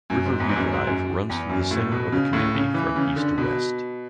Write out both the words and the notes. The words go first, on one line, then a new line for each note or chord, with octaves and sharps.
Riverview Drive runs through the center of the community from east to west.
F#2
G#2
E2
G#2
F#2
G#2
F#2
E2
F#2
A2
B2
C#3
A2
C#3
E3
C#3
D3
B2